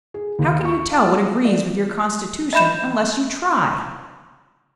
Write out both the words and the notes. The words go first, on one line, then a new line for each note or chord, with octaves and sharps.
How can you tell what agrees with your constitution unless you try?
G#4
D#2
C#6
F5
F#4
D5
D#5 E5 B5 G6 E7